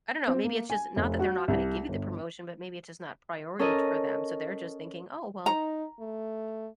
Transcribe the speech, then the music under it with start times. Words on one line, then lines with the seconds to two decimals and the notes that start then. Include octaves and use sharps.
I don't know. Maybe it's just not that they're not gonna give you the promotion, but maybe it's just not priority for them. So they're just thinking, "Oh, well,
0.28 C4
0.44 A#3
0.70 G#5
0.96 F1
1.19 F#4
1.48 C2
1.89 G1
3.59 C#4 A4 A#4 D#5
5.46 D#4 A#5
6.00 A3